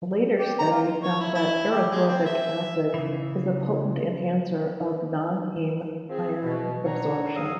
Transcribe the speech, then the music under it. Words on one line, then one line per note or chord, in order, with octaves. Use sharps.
A later study found that erythorbic acid is a potent enhancer of nonheme-iron absorption.
G4
A#5
F4
C#5
E4
E4
G4
G#3
C4
E5
C#3 E3
F3 C4 G#4
B2
C4 D4 D#4 C#5 F#5 A#5
D#2 G#2 G3 F5 D#6 E6